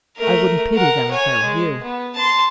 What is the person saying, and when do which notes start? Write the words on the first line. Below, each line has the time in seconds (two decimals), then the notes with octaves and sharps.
I wouldn't pity them if I were you.
0.17 A3 A#4
0.75 A#4 F#5
1.11 C#5 G#5
1.43 G#3
1.83 B3
2.15 A5 C6